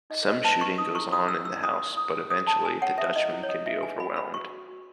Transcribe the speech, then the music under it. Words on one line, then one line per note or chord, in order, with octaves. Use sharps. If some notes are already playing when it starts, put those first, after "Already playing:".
Some shooting goes on in the house, but eventually the Dutchman can be overwhelmed.
D#4 D#5
B4 D#5
B4 A5
B4 C#6
D#4 D#6
E4 C#6
E4 D#6
E4 E6
E4 E6
A4 D#6
A4
E4 D#6
C#5
A4 D#6
A4 A5
A4 G#5
C#5 F#5
A4 E5
E4 D#5
E4
C#5
A4 D#5
B4 E5
B4 G#5
F#4 B5
B4 B5
F#4 C#6
F#4
F#4